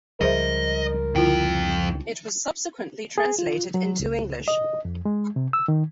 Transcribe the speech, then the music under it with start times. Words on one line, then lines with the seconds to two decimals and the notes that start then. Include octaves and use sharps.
It was subsequently translated into English.
0.21 C#2 F3 G3 G#4 A#4 C5 D#5 E5
1.15 F2 D3 E4 F4 G5
3.18 G#4
3.39 F4
3.74 F#3
4.00 C#2
4.48 D#5
4.85 F2
5.05 G#3
5.36 C3
5.53 E6
5.68 D#3